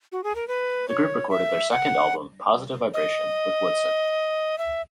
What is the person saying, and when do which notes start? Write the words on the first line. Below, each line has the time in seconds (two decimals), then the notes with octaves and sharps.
The group recorded their second album "Positive Vibration", with Woodson.
0.12 F#4
0.24 G#4
0.35 A#4
0.48 B4
0.88 C#5
1.30 E5
1.71 F#5
2.94 D#5
4.58 E5